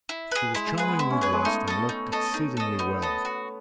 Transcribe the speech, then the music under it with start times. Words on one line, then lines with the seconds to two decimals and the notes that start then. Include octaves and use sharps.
She was charmingly dressed and looking exceedingly well.
0.09 E4
0.31 G#4 B4
0.55 G#3 E4
0.66 G#3
0.78 G#4 B4
0.88 B3
0.99 B3 E4
1.10 C#4
1.21 C#4 G#4 B4
1.33 G#3
1.45 A3 D#4
1.68 A4 D#5
1.89 D#4
2.12 A4 D#5
2.34 D#4
2.57 A4 D#5
2.79 B3 D#4
3.02 A4 D#5
3.25 F#4